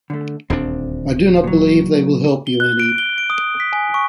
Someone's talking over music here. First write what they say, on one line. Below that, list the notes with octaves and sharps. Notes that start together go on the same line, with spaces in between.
I do not believe they will help you any.
D3 A3
D#1 D2 C4 D4
A#2 F#3
G7
F#6
D7
G7
D7
D#6
B6
G#5
C#6